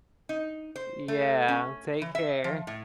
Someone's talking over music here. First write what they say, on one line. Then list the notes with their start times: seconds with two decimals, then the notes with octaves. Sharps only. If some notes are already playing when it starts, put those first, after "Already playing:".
Yeah, take care.
0.29 D#4
0.76 C5
1.08 A3
1.48 C#4
2.02 E3
2.15 E5
2.44 F3
2.67 A2